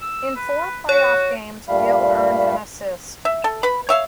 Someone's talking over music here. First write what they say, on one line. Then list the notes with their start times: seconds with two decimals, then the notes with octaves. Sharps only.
In four playoff games, Gill earned an assist.
0.01 E6
0.36 B4
0.89 F#4 C#5
1.68 G2 A#2 G3 A3 F5 B5
3.25 E5
3.44 A4
3.63 B4 B5
3.89 C#5 E5 F5